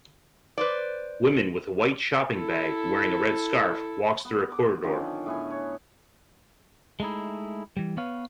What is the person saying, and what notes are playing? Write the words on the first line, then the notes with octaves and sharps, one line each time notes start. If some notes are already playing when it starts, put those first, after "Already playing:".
Women with a white shopping bag wearing a red scarf walks through a corridor.
B4 C5 D5
E4 A4
B3
D6
D3 D#3 F3 C#4
A2 B3 G#5
C#5
G#3 A3 D#4 E4
E3 G3
B3 B4 C#5 F5